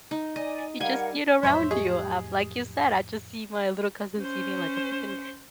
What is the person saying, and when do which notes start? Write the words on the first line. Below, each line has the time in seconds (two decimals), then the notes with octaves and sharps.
You just eat around you, uh, like you said, I just see my little cousin's eating like a freaking
0.11 D#4
0.36 D5 D#5 G#5
0.80 G3 A#4 F5 F#5 G#5
1.43 F2 A2 F#3 C5 C#5 E5
1.71 G4 G#4 D#5
4.18 C#4 C5